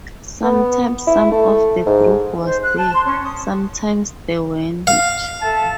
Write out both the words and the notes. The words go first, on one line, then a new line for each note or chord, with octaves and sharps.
Sometimes some of the group was there, sometimes they weren't.
B3
E4
A3
G#2
C5
F#6
A5
C6
C#4
D#6
F5
A4 E5 A5